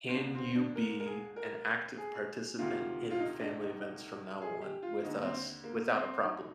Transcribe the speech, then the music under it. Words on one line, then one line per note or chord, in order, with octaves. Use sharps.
can you be an active participant in family events from now on with us without a problem?"
C4
D#2 D3 D4
C4
D4
A#4
A#4
G#4
A#4
G#4
D2 C3 D#3 F4
F4
D#4
D4
D#4
D#4
G#4
G4
F4
D#2 D3 D#4
C4
A#3
C4
D#4